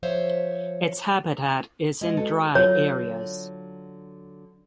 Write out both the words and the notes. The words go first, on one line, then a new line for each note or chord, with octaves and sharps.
Its habitat is in dry areas.
F3 C5 C#5 E5
G#3 B3 D#5
F#4 A4
D3 F#3 F4 C#5